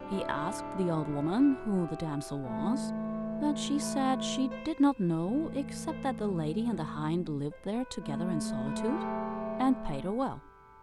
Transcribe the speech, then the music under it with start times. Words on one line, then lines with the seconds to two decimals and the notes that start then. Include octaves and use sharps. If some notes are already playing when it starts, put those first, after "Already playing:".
He asked the old woman who the damsel was, but she said she did not know, except that the lady and the hind lived there together in solitude, and paid her well.
Already playing: E2 B2 G3 C4 D4
0.12 E4
0.36 D4
1.05 E4
1.39 F#4
1.75 G4
2.43 C2 C3 E3 A3 A4
3.82 B4
4.51 C5
5.21 F#2 E3 A3
5.90 C5
7.51 C5
7.74 B4
7.97 E2 C3 F#3 A3
8.66 B4
8.77 A4
8.88 G4
8.98 A4